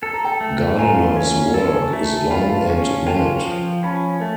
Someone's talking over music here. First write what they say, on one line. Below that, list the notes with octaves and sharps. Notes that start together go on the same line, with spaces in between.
Gardiner's work is long and minute.
A4 A5
A#5
G5 A5
A3
F4 G#5 A#5
C#4
A4
A3
F4 A5 B5
C#4
F4 G5 A5
F3
C#4 A5 B5
A3